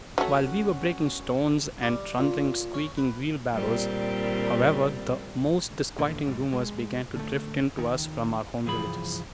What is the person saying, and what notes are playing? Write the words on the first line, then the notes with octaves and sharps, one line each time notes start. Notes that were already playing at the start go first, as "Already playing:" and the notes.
While we were breaking stones and trundling squeaking wheelbarrows, however, the most disquieting rumors began to drift in to us from our home villages.
F#3 A3 C#4 F#4
G3
A#2
C#4
B4
A#2 G3 C4
E2 A#2 D3
D#1 B1 G#2
G#3
D3 A3
C#2 D#3
C2 G2 E3 F3 G#4 B5